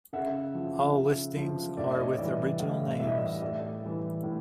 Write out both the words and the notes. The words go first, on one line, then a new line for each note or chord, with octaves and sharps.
All listings are with original names.
C#3 E5 F#5
F3
C#3
F3
A2 D5 E5
C#5 D#5
E3 G3 D5 E5
A2 D#5 F5
E3 G3 E5
D#5
D5 E5
A2 D5 E5
E3 G3
A2